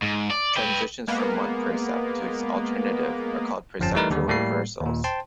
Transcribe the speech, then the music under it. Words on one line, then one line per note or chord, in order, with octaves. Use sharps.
Transitions from one percept to its alternative are called perceptual reversals.
G#2
D5
B4 G5
G#3 A#3 B3
G1 F2 F3 C4 C#4 A5
E3 G3 A3 D#4 A#4 B4
D#2 D3 G3
A2 G3 A#3 C7
D#2 A#2
C5 G5 A5 C6